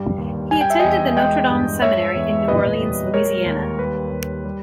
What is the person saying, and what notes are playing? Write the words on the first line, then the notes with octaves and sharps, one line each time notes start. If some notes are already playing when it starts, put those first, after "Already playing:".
He attended the Notre Dame Seminary in New Orleans, Louisiana.
Already playing: G2 G3
D#2
G3 G#5
G5
E5
E2 D#5 G5
G#3 D#5 G5
G2
G#3 C#5 E5
E2
A#2 B4 D#5
G3
G#3 A#4 C#5
D#2
G3 B4
D#2
G3